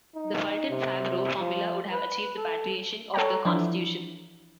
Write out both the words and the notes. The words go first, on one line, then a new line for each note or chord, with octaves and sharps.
The Fulton-Favreau formula would have achieved the patriation of the Constitution.
D#4
C3
F3
B4
A4
A4 C#5 F#5 G5 A#5
E3 F3 D4 E4